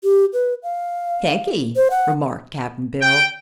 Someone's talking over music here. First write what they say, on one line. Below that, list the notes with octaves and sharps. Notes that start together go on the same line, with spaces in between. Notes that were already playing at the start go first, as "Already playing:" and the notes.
"Thank'e," remarked Cap'n Bill.
G4
B4
F5
C5
F#5
G5